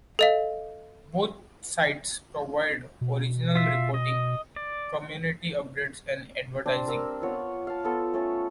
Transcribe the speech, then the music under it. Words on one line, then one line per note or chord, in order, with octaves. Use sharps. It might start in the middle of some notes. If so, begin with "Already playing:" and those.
Both sites provide original reporting, community updates and advertising.
A4 D#5 F5
B2
F4 E5
D#5
D5
G3 C4 D4
A#4 E6
B3 F4 C#5 F#5
F5 A5
B3 F4 A4
A3 C#4 A4